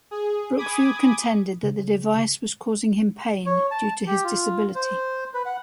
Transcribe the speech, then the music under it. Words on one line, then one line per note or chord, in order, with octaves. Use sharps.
Brookfield contended that the device was causing him pain due to his disability.
G#4
G#5 B5 D6 D#6 G#6
C#3
C#5
A5
G4
F4
C5
B4
F#5